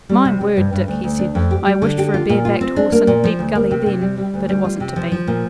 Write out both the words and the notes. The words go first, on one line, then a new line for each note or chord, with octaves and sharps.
'My word, Dick,' he said, 'I wished for a bare-backed horse, and a deep gully, then; but it wasn't to be.
G3
C3
C3
G2
G2
D2
D2
D4
F2
G4
G3
D3
G4
F4
A#2
F4
C4
D4
A#3
A#2
F3
D2
A#3
C3
C3
G3
G3
D2
G3
F4
C3
F3
F3
A#2